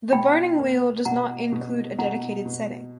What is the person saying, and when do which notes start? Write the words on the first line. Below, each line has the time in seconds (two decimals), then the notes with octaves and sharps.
"The Burning Wheel" does not include a dedicated setting.
0.13 B2 G5 B5
0.59 A#3
1.05 B2 F#5 A#5
1.52 B2
1.99 B2 F#5 A#5
2.46 B2